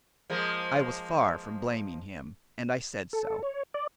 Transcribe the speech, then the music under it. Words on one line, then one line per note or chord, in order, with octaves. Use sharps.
I was far from blaming him--and I said so.
F3 G#3 A#3
A4
C#5
D5